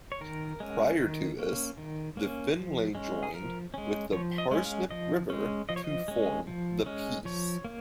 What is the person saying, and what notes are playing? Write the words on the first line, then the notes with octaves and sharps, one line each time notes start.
Prior to this, the Finlay joined with the Parsnip River to form the Peace.
C#5
D#3 A#4
G#3 C#4
D#3
A#3 C#4
D#3
A#3 C#4
F3
G#3 C#4
G#4
F3 A#4
G#3 C#4
F3 C#5
D#5
G#3 C#4
F5
F3 D#5
G#3 C#4
F3 D#5
C#5
D#5
G#3 C#4
F3
G#3 C#4
F3 C#5
A#3